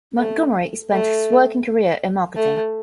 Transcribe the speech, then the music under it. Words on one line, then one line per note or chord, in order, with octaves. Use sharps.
Montgomery spent his working career in marketing.
A3
A3
A3